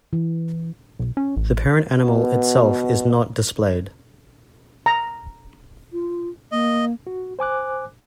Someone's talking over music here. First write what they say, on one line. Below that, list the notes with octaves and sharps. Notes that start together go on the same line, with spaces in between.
The parent animal itself is not displayed.
E3
B1
C#4
A1
B2 B3
A#5
F4
A#3 D#5
F#4
C5 G#5 D6 F#6